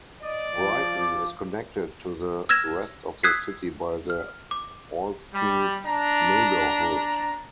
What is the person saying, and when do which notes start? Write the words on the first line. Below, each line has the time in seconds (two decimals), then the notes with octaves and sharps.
Brighton is connected to the rest of the city by the Allston neighborhood.
0.21 D5 D#5
0.55 F3
0.95 D6
2.49 E6 F6 G#6 A#6 E7
3.23 D#6 E6 F#6 G#6 B6 C7
4.10 F6
4.51 D6
5.33 G3
5.85 D4 A#5